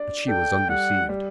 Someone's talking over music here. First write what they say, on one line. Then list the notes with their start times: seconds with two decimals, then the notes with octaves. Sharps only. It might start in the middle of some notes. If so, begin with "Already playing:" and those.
But she was undeceived.
Already playing: D4 D5
0.28 A4 G5
0.68 G3 F#5
1.09 G3